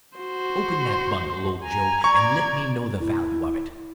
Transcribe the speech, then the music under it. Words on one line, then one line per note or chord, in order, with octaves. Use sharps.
Open that bundle, old Joe, and let me know the value of it.
F#4 C5
G#5 A#5
D5 C#6 G#6
E4